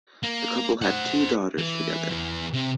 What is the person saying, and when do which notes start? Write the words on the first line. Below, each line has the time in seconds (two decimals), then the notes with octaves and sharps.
The couple had two daughters together.
0.23 A#3
0.82 C5 F#5
1.58 E3
2.10 E2 E3
2.54 C3